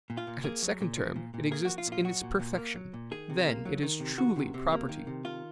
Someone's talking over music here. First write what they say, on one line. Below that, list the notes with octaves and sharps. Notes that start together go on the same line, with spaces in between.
At its second term, it exists in its perfection; then it is truly property.
A#2
F4
A#2
A#3 G#4
F#3
A#2
F3
A#2
A#2
A#3 G#4
F#4
F3
F4
A#2
F4
F#3 F#4
A#2
A#2
A#3
F#3
A#2
D#3 G#4
C3
A#3
F#3
D#3
C3
D#3 F#4
C3
C3
A#3
D#3
C3
D#3 F4